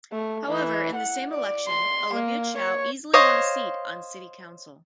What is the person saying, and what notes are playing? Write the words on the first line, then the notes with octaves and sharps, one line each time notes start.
However, in the same election Olivia Chow easily won a seat on city council.
A3
E3
F#5
D5
C6
A#3
C#5
C5 C#5 D#5 F5